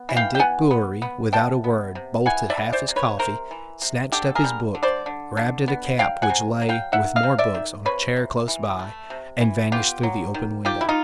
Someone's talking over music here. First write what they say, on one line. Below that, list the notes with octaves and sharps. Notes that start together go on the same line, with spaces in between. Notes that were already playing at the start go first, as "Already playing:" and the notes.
And Dick Bewery, without a word, bolted half his coffee, snatched up his book, grabbed at a cap which lay with more books on a chair close by, and vanished through the open window.
Already playing: B3
E3
F5 G5
G5
B3 F#5 G#5
B3
B3
C3 G5 A5
B3
C3
E3 F#5 G#5
D5 E5
E3
C5 D5
C3
B4 C#5
C3 A#4 C5
E3
C3
D3 G4 A4
G#4 A#4
G3
D3
C5 D5
D3
D3
B3
F#3 F5 G5
F#5 G#5
C3
F#3
F5 G5
D#3 E5 F#5
D#5 F5
C3
D5 E5
D#3
C3 B4 C#5
C3
E3
A3
C3
E3
B3 F4 G4
F#3
D#3
D#3 F4 G4
E4
D#4 F4